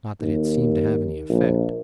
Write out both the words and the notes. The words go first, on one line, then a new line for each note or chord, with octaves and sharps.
Not that it seemed to have any effect.
D#2
A#1